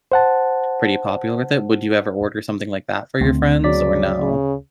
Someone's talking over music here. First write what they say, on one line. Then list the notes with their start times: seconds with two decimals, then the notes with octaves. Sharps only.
pretty popular with it. Would you ever order something like that for your friends or no?
0.12 C5 F#5 A5
3.21 D2 C4
3.64 C#3 F#3 D5 B6
4.20 C#3